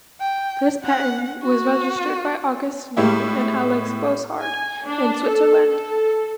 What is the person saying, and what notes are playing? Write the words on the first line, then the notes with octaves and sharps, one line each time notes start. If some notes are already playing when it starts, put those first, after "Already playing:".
This patent was registered by August Schnell and Alex Bosshard in Switzerland.
G5
F#5
F#4
A2 G#3 E4 G4
G#5
D4
A4
A4